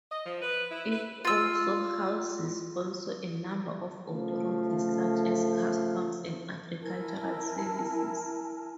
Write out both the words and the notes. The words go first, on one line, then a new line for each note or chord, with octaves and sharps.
It also houses also a number of authorities such as customs and agricultural services.
D#5
F3
B4
E4
B4
F4 E6
C#3 F3 A3
E4 A#4 G#5 A5